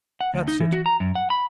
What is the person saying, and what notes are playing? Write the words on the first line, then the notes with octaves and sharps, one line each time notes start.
That's it.
F#5
D2
D#4
E3
F#4
A#5
F#2
F#5
B5